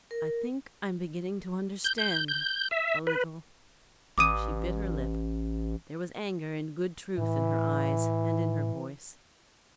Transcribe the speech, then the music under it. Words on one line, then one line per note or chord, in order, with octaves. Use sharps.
"I think I'm beginning to understand--a little." She bit her lip; there was anger in good truth in her eyes and in her voice.
A#4
G6
G6
G6
E5
B4
A1 D6 D#6 D#7
A2 E3